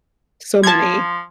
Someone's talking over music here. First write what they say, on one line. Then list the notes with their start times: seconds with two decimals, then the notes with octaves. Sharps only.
So many.
0.64 F3 A5 G#6